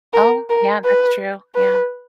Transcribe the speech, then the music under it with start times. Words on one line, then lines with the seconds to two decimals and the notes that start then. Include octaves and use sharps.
Oh, yeah, that's true. Yeah.
0.13 A#4
0.50 A#4
0.85 B4
1.55 B4